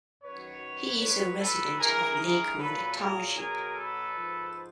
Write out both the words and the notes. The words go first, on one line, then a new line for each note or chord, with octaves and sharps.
He is a resident of Lakewood Township.
F#2 D#3 F#3 B4 C#5
A2 F#3 B4 C#5
A4 B4
G2 E3 G#4 A#4
G#4 A#4
A#2 F#3 A4 B4
G#4 A#4
B2 F#3 G#4 A#4
A4 B4
G#2 F3